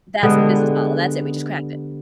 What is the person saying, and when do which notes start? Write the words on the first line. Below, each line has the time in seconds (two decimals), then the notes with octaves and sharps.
That's the business model. That's it, we just cracked it.
0.23 D3 G3 G#3 B3